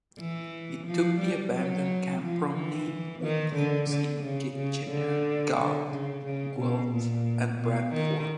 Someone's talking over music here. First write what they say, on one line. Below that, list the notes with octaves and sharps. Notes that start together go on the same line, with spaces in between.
It took the abandoned Canpro name with teams in Kitchener, Galt, Guelph, and Brantford.
E3
F3
G3
F#3
F3
E3
D#3
D3
D3
C#3
C#3
D3
D3
C#3
C#3
B2
A#2
B2
D#3